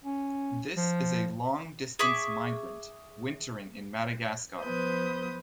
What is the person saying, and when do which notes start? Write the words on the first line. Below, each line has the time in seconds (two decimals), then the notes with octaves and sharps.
This is a long-distance migrant, wintering in Madagascar.
0.05 C#4
0.76 F3
1.99 G#4 E5 C#6 D6
4.60 F3 B3 B4 C5 D#6 G6